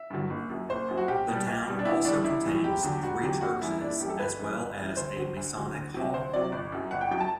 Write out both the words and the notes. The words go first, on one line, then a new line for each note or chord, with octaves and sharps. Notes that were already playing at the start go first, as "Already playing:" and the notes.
The town also contains three churches, as well as a Masonic Hall.
Already playing: E5
G2 D3 F#3
F#1
F#2 F#3
F#1 C5
F#2 F#3
F#4
B1 G4
B2 G3
B1
B2 G3
D4
A1 E4
A2 E3 G3 D4
A1 E4
A2 E3 G3
E1 G4
E2 D3 F#3
E1 F#4
E2 D3 F#3 G4
F#1 F#4
F#2 E3 G3 E4
F#1 D4
E4
F#2 E3 G3 G4
A4
G1 B4
F#2 E3 G3
G1
F#2 E3 G3
D2 C5
D3 F#3
D2
D3 F#3
D2
C3 F#3
D2 C5
C3 F#3 D5
G1
F#2 F#3
G1 F#5
G5
F#2 F#3 G5
A5